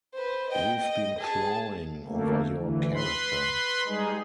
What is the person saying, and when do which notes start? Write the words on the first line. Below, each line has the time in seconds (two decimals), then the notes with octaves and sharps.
We've been clawing over your character.
0.13 B4 C5
0.48 D#5 G5
0.80 D#5
1.18 G#4 A5
2.05 D2 A3 A#3
2.54 D2 E3
2.94 B4 B5 C6
3.87 G3 G#3 D#4 G#4